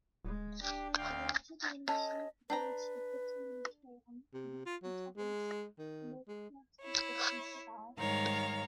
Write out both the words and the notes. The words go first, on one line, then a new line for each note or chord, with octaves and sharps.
The larger the initial dose of vitamin K-antagonist, the more pronounced these differences are.
D1 G#3
D4 G4
D2 F5 G5
C#4 A4 D#5
D4 B4 G5 A#5
C3
F4
F#3
G#3
D#3
G#3
E4 C#5
G#2 D#3 G3 C#5 F5 A#5